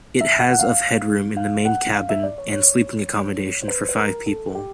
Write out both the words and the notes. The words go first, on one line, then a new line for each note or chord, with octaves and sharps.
It has of headroom in the main cabin and sleeping accommodation for five people.
E5
F#5
F#5
F5
F5
F#5
F5
E5
D5
C#5
C#5
C5
B4
C5
B4
A#4
A4
G4